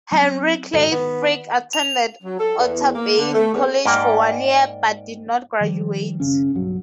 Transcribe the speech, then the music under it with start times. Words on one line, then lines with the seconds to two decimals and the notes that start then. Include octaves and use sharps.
Henry Clay Frick attended Otterbein College for one year, but did not graduate.
0.12 F#3 C4
0.73 D#1 G#1 D2
0.92 D#3 B3
1.73 F7
2.23 F#3
2.39 A4
2.58 E2
2.95 A#3
3.18 D3
3.34 A3
3.54 E2
3.85 G#2 A#3 D5 G5
5.61 D#3 F3 G3
6.20 F#1 C#3 C#4
6.54 B1 G2 F#3